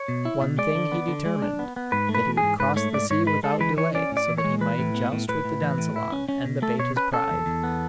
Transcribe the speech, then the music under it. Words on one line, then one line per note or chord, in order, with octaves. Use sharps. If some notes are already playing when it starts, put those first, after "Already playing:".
One thing he determined, that he would cross the sea without delay, so that he might joust with the dansellon, and abate his pride.
Already playing: C#5
B2
E4
B2
G#3 D5
D3
B3
D3
G#3
D4
B3
B3
G#2 B4
A3
B4
E3
G#4
G#2
G#2 B4
A3 C#5
G#2 D5
G#2 C#5
G#3 B4
G#3 A4
E3 B4
E3 C#5
C#4 D5
A2
D5
E3
C#5
G#3
E3 B4
A2
B3
A2
A2 B4
A2
E3
A2
E4
C#4
C#4
B2
A3 A4
B2 C#5
C#4 B4
C#4 A4
E2
E2
B3